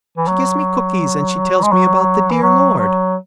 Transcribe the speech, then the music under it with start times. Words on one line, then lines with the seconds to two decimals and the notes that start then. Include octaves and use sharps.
She gives me cookies and she tells me about the Dear Lord.
0.17 E3
0.28 F#3
1.63 G#3
1.72 F#3
2.31 E3
2.43 F#3
2.78 F#3